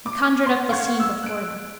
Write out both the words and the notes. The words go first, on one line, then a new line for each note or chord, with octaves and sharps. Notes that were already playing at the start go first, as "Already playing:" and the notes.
He conjured up the scene before them.
D6
C6
F5 F#5 C#6 G#6
E6
F#6 D7